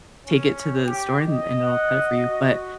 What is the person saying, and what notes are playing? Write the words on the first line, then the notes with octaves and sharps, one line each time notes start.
take it to the store and and it'll cut it for you, but,
C#4
G4
D#5
F#5
F#4